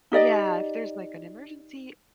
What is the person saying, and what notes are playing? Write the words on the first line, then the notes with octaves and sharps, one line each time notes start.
yeah, if there's, like, an emergency
D#4 G4 D5 D#5